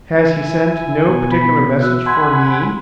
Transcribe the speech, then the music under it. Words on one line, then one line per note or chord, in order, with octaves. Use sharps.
"Has he sent no particular message for me?"
E4 G#5
B2
B5
F#4 E5 F#6
F#5 G#5 B5 C6 G#6